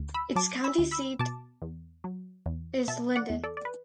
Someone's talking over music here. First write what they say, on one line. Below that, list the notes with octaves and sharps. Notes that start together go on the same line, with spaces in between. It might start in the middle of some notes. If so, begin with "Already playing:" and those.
Its county seat is Linden.
Already playing: D2
B5 E6
F#3 A5 D6
B5 E6
D2
B5 E6
B2 A5 D6
E2
F#3
E2
B2 E5 A5
D5 F#5
E2
A4 D5
D5
B4